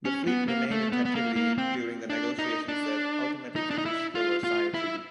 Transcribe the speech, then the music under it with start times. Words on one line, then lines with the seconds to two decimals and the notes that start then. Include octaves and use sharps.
The fleet remained in captivity during the negotiations that ultimately produced the Versailles Treaty.
0.05 C#4
0.27 B3
0.48 A#3
0.71 A3
0.92 B3
1.05 B3
1.15 A#3
1.36 A#3
1.58 C4
2.10 D4
2.39 D#4
2.68 D4
3.56 D#4
3.71 D4
3.78 D#4
3.85 E4
4.15 F4
4.44 F4
4.74 E4